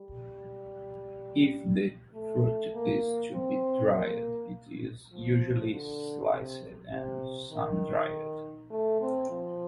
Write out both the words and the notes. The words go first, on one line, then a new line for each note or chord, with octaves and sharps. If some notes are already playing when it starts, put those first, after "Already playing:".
If the fruit is to be dried, it is usually sliced and sun-dried.
Already playing: G3
A3
A#3
C4
A#3
F3
D3
C3
C3
D#3
A3
C4
F3